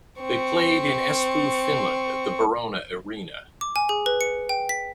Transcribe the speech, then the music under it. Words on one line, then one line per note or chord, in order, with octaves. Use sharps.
They played in Espoo, Finland, at the Barona Areena.
C4 C#6
D6
G#5
G#4
B4
C#7
G5
B6